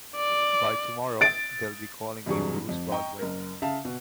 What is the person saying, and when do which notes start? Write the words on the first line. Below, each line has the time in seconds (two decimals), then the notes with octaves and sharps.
By tomorrow they'll be calling me Bruce Baldwin.
0.16 D5
1.21 A6 D7
2.26 E1 G2 C3 F#3 G#4 C#6
2.69 F2
2.91 D#5 G5 A#5 C#6
3.19 F#1 A#4
3.62 C#3 E5 F5 A5
3.85 B2